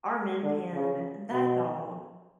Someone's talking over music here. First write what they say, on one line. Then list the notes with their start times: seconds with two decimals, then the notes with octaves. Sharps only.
our Min Pin, that dog,
0.43 D3
0.73 C#3
1.32 B2